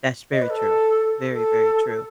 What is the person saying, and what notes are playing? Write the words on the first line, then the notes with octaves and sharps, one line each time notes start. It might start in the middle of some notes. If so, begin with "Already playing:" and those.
That's very true. Very, very true.
D#5
B4
A4
A4